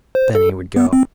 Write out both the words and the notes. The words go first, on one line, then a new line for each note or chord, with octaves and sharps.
Then he would go.
C5
A4
B3
C4